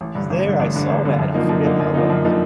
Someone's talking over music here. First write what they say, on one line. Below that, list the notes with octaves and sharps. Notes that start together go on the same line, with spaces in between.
was there, I saw that, I forget how lo
A1
G2 D3
A1
G2 D3
A1
G2 D3
A1
G2 D3
F#2
D3 F3 A#3 D#4
F#2
D3 F3 A#3 D#4
F#2
D3 F3 A#3 D#4
F#2
D3 F3 A#3 D#4